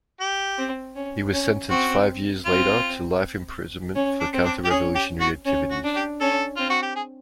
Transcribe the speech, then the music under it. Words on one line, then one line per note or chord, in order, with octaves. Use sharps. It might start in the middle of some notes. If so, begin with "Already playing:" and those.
He was sentenced five years later to life imprisonment for counter-revolutionary activities.
G4
C4
C#4
C#4
C4 F#4
C4 F4
C#4
D4
C4
D4
G4
C#4 G#4
G4
F#4
C#4
F#4
D4
G4
C#4 A4
C4 F4
F#4
G4
G#4